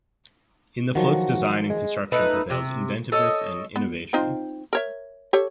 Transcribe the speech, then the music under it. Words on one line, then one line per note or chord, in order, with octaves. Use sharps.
In the float’s design and construction prevails inventiveness and innovation.
D#3 F3 F#3 F#4
G#3
A3 D#4 B4
C3
A4 C#5 D#5
B3
C4 D#4 F4
A#4 C#5 E5
G4 A4 C#5